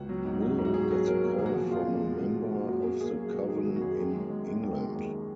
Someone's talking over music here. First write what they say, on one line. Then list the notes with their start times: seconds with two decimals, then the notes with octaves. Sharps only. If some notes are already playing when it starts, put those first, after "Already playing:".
Willow gets a call from a member of the Coven in England.
Already playing: C#2 F#4
0.09 F#3
0.25 G#2
0.41 F#3
0.58 G#2
0.65 F#4
0.74 G#2 G#4
0.91 F#3
1.06 F#3 A#4
1.22 A#3
1.39 A#2 G#4
1.46 F#4
1.54 F3 G#4
1.71 A#2 F4
1.87 A#2
2.03 G#3
2.20 A#2
2.36 A#2
2.51 G#3
2.68 F#2 F#4
2.84 A#3 G#4
3.01 A#3 G#4
3.17 F#3 G#4
3.33 F#3 F#4
3.49 D#3 G#4
3.65 F#3 G#4
3.76 F#4
3.81 F#2 G#4
3.98 D#2
4.14 G#3
4.30 G#3
4.46 G#3
4.63 D#2
4.79 G#3
4.95 D#2